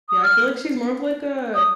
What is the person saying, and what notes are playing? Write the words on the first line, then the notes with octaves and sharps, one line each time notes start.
Yeah, I feel, like, she's more of, like, a
D#6
F6
D#6